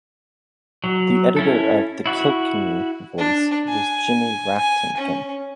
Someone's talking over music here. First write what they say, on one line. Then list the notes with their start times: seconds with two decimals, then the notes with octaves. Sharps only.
The editor of "The Kilkenny Voice" was Jimmy Rhatigan.
0.84 F#3
1.37 C#4 E4 A4
2.06 E4 F#4 B5
3.18 D4
3.69 G#5
4.57 G#5
4.97 C#4